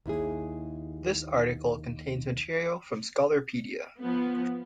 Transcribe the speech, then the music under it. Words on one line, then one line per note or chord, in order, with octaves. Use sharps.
This article contains material from Scholarpedia.
D#2 E4 G#4
F3 B3